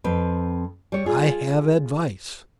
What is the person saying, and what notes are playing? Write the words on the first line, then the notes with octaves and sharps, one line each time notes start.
I have advice.
F2 C4 B4
G3 C#5
F4 G#4